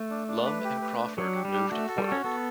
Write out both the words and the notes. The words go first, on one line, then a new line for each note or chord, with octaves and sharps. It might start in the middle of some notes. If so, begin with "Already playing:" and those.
Lum and Crawford moved to Portland.
Already playing: A3
D4
D4
B4
G4
B4
D4
F#3 D4
G4
G3
D4
A3 F#4
A4
G3
C#4 F#4
B3 A4